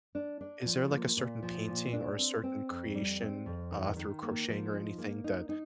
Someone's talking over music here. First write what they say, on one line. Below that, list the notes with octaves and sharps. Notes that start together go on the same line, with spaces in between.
is there, like, a certain painting or a certain creation, uh, through crocheting or anything that
D4
D4
F3
A#3
A#2
F3
A#2
D4
C4
C4
F2
G3
C4
F2
D#3
D#3
A#3
F3
D#4
A#3
D#4
D#4